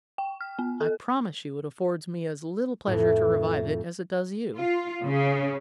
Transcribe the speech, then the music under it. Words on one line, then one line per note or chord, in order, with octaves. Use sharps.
I promise you it affords me as little pleasure to revive it as it does you.
G5
F6
B3
A4
F2 A2
F4
C#3